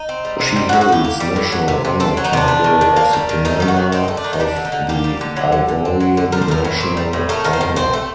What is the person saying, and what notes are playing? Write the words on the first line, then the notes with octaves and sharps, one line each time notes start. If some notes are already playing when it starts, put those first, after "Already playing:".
She holds national honour title of the Commander of the Ivorian National Order.
Already playing: D#4
C4
G3
C3
G3 D#4
F#4
A2
F#4
A2 G4
A#3
G3
A2
F#3
C3
C3
C4 A4
F#3
D#4
C3 D4
G3
D#3
D#3
A#3
G3
D#3
A3 D#4
D#3 G4
F#4
D#3
C4 D#4
A3
D4
D#3
D#4
G3 D4
D3
D#4
D3
A#3 G4
G3
D3
F#3
D3
D3
C4
F#3
D3
G3 A#4
C5
A2 A#4
A2
C4
G3
A2
A3 A#4
D#3 A#4
C5
D#3
C4 C5
A3